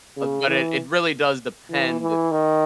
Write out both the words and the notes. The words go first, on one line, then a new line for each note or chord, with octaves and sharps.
um, but it it really does depend
C#3
E3
E3
E3
D#3